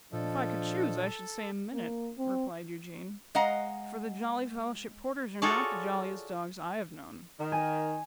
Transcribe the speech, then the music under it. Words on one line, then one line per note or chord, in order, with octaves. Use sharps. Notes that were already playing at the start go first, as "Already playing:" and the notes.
'If I could choose, I should say a minute,' replied Eugene, 'for the Jolly Fellowship Porters are not the jolliest dogs I have known.
A#2 F3 D4 A4 D#5
A#3
C4
G#3 D#5 F5 F#5 A#5
F4 F#4 G#4 A4 C#5 D5
D#3
G#5